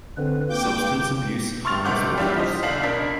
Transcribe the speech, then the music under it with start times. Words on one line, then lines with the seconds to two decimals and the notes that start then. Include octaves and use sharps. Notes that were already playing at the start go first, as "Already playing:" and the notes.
Substance abuse harms lives.
0.17 D3 C4 A4 B4
0.49 A#3 F4 G5 D6 G6
1.65 C6 C#6 F6 A6 F7
1.85 F#1 C3 F#5 D6 G6
2.18 G3 D4 E4 F4 G4
2.36 C5 D#5 B6
2.63 B1 D3 D4 F5 C7 F#7
2.83 C#2 D4 A#4 B6